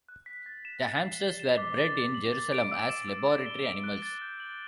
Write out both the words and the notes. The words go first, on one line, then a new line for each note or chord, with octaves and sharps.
The hamsters were bred in Jerusalem as laboratory animals.
F#6
B6
A6
E7
A6
C7
G7
E7
D6
A6
A6
F#7
A6
D7
E6
E7
E6
A6
G7
D7
F#6
A6
G6
F#7